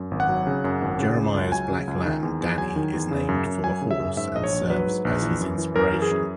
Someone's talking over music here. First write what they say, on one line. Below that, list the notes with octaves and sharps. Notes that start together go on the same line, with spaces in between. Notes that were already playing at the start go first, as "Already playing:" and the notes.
Jeremiah's black lamb, Danny, is named for the horse and serves as his inspiration.
Already playing: F#2
G#1
F#5
F#3
C#3
F#2
G#1
C#3
C#2
C#2
F#3 G#5
C#3
C#2
D#3
E2
E2
F#3 G#5
D#3
E2
C#3
F#2
F#2
F#3 G#5
C#3
E5
F#2
G#2 E5
A#1 D#5
C#5
A#1
F#3 B4
G#2
A#1
E3
F#2
E3
F#2 A#4
E3
G#4
F#2